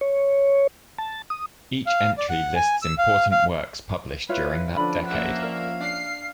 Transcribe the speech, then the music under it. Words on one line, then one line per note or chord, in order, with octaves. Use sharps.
Each entry lists important works published during that decade.
C#5
A5
D#6
F5
D5
F#5
G#5
E6
F5
F5
E4 F4 B4 C#5
D3 F3 C#4 B5
A#3 E5 F#5
A#4 D5 F5
D4 C7